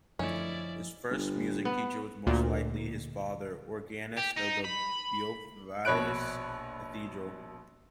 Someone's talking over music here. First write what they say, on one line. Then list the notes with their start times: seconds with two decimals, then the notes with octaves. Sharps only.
His first music teacher was most likely his father, organist of the Beauvais Cathedral.
0.19 F#2 D3 F3 A3 C#4 E4 D5 D#5
1.10 G1
1.65 B3
2.27 D2 A#2
4.18 G4
4.37 D#4
4.65 B5
5.85 A#1 B2 C#5 B5 F#6 D7